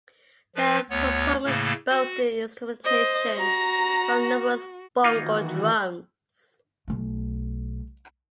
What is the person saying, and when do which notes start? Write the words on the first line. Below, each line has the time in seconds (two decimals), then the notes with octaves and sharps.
The performance boasted instrumentation from numerous bongo drums.
0.56 F3 B4
0.90 D2 B3 C#5
1.45 A2 C#3 A3 A#3
1.89 F#4
2.85 C5 D#5
3.37 F#4 A#5 A#6
5.04 D#3 E3 A#3 D#4 F4 F#4
6.88 B1 A3